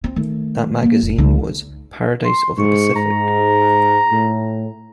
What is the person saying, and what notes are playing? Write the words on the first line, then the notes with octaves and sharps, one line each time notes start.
That magazine was "Paradise of the Pacific".
C4
D#3 A3
G3 A#3
F1
C#2 D#4
C6
G#2 C#6
G#2 A#5
A2